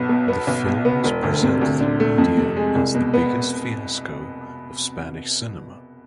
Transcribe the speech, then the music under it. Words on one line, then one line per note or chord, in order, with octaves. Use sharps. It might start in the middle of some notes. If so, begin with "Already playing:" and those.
The film was presented in media as "the biggest fiasco of Spanish cinema".
Already playing: B1 B3
B2
B3
B1
B2
B3
E1
D2
C3
D2
D3
A3
F2
C3
G#3
C2
B2
B3